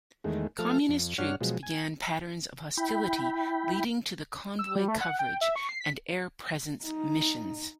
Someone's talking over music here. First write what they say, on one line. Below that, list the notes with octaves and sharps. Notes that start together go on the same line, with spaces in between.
Communist troops began patterns of hostility leading to convoy coverage and "air presence" missions.
E2 D#3 G#3 A3
F3 A3 A4 F6
F2
G2 D4 C#5 F#5 F6
B2 F3 F#3 G#3
G#5
E4 G5 B5
E6
G3
A3
F#5
G5
E5
C#6
C7
B6
D#4